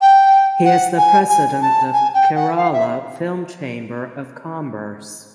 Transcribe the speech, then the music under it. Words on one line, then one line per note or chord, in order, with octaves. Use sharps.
He is the President of Kerala Film Chamber of Commerce.
G5
F#5
G#5
G#5
A5
G#5
G5
F#5
F5
E5